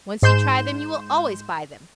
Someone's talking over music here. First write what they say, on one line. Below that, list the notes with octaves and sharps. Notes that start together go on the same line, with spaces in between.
Once you try them, you will always buy them.
G#2 C6 G6 E7